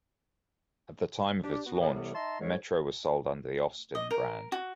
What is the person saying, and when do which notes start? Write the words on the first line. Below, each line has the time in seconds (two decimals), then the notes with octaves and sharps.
At the time of its launch, the Metro was sold under the Austin brand.
1.43 D4 G4
1.66 B3 F#4
1.79 A2
1.94 C2 A2 C3 E3 G3 B3
2.15 D#4 E5 A5 A#5 C6
2.40 C2 G#2 G#3 C#5
3.95 D#5
4.11 A#4
4.52 F#4